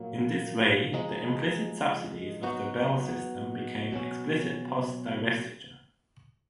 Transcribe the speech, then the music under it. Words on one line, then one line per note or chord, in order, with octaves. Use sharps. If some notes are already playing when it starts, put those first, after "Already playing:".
In this way, the implicit subsidies of the Bell System became explicit post-divestiture.
Already playing: A#2 F#3 A#3
F3 G#3 D#4
F#3 B3 D#4 F#4
B2 F#3 C#4